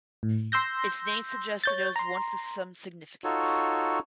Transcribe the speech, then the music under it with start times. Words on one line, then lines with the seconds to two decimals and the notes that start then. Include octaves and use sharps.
Its name suggests that it was once of some significance.
0.23 A2
0.52 C6 E6 G6 A#6
1.64 C#5 G6 A6
1.96 A#5 C6
3.24 D#4 F4 F#4 A4 C#5